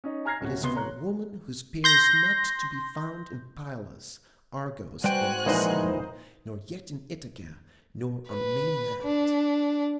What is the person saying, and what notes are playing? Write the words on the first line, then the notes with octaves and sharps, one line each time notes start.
It is for a woman whose peer is not to be found in Pylos, Argos, or Mycene, nor yet in Ithaca nor on the mainland.
C#4 D#4
G#5 A#5 F6 G#6 A#6 C7
D1 C#4 F#4
C#2 C3 B3 C6 C7 G7
C#5 A#5 F#6
C6 G6 A#6
G3 F#4 B4 C5 G5 G#5 F#6
A#2 E3 F3 G#3 D#4 C5 D#5
B4
D4